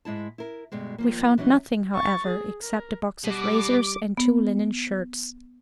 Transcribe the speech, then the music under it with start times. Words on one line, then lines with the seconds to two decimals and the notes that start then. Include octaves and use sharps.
We found nothing, however, except a box of razors and two linen shirts.
0.05 G#2 G#3 E4 A5
0.38 E4 A#4
0.72 D2 G2 B2 G#3
0.98 D#2 F3 A#3
1.38 E3 F#3 B3 C#4 D#4
1.95 C#6 A6
2.27 G#4
2.63 A#4
3.24 B2 G3 D6
4.18 B3